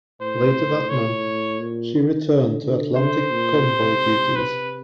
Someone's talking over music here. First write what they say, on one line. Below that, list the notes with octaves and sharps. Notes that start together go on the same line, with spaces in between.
Later that month, she returned to Atlantic convoy duties.
A2 C5
C#5
A#2
D#3
D3
D3
D3 C5
A#2
C3
C3 B4